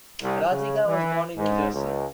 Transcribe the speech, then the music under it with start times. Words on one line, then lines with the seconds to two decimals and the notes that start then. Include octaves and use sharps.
Rah Digga was born in New Jersey.
0.22 C2
0.51 C#3
0.86 E3
1.37 G#2
1.73 C#2